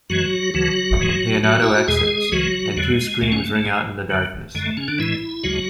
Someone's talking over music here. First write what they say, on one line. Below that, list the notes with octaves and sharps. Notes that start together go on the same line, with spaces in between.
Leonardo exits, and two screams ring out in the darkness.
F#2 E3 F#3 G#3 F#4
D2 C#3 E3 F#3 F#4
G#2 E3 G#3
A2 F#3 F#4
E4
F#4
E2 B2 G#3 G#4
C#2 C#3 E3 F#3 G#3 F#4
E2 D3 F#3 G#3
C#2 C#3 G#3 A3
C#3 C#4
A3
A3
G#2 G#3
F#2 D3 F#3
F#2 D3 G#3
A3
C#3 C#4
D3 D4
A2 E3 G#3 E4
D2 C#3 F#3 G#3 F#4